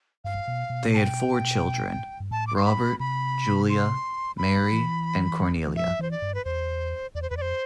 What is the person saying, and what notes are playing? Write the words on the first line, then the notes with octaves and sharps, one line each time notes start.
They had four children: Robert, Julia, Mary and Cornelia.
G2 F5
B2
B2
A5
G5
G2
A2 A5
D6
C6
B5
C3 B5
C6
B5
E3
E3
F3 E5
E3 C5
D5
G2
B4
E2 C5
E2 D5
C5
E2 B4
F2 C5 D5